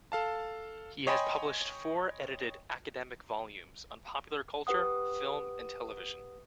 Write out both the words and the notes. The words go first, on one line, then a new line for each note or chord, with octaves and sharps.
He has published four edited academic volumes on popular culture, film, and television.
A4 F5 A5
C#5 D#5 G5 G#5 B5 C6
G4 B4 F#5 D#6